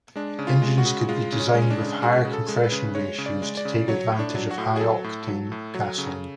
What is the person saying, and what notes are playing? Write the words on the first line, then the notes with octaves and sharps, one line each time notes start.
Engines could be designed with higher compression ratios to take advantage of high-octane gasoline.
G#3 D4
C#3
F4
G#3
F#4
C#3
G#3 F4
C#3
C#4
G#3
C#4
D4
C#3
G#3 F#4
C#3
A4
G#3
B4
C#3
G#3 C#5
C#3
D5
G#3
D5
C#3
F#3 C#5
A2
D4
F#3
F#4
A2
G#4
F#3 A4
A2
F#3
A2
F#3
C#3